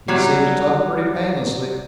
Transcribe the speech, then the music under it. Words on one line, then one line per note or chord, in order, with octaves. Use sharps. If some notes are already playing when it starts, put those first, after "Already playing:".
He seemed to talk pretty painlessly.
F#3 G3